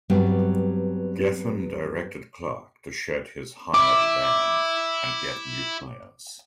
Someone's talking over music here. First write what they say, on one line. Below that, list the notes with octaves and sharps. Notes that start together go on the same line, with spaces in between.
Geffen directed Clarke to shed his hired band and get new players.
G2 F#3 G3 B3 C4
E4 D6